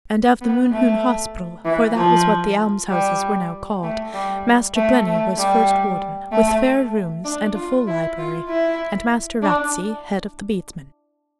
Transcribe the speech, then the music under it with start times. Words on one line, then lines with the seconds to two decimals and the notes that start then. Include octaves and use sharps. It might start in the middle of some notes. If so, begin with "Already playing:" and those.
And of the Mohune Hospital--for that was what the alms-houses were now called--Master Glennie was first warden, with fair rooms and a full library, and Master Ratsey head of the Bedesmen.
0.41 B3
0.72 A3
1.65 E3
1.96 F3
2.89 G3
3.83 A3
4.13 G3
4.76 A3
5.07 A3
5.38 G3
6.32 A3
7.24 D4
7.55 F4
7.87 E4
8.18 F4
8.49 E4
9.42 D4